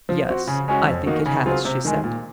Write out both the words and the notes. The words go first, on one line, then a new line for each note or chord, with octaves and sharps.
"Yes, I think it has," she said.
F3
C4 F#4
C#3
G#3 C#4 F#4
F2
D#3 A#3 D#4 F#4
C#3
F#3 C4 F4 G#4
C3
D#3 G#3
A#2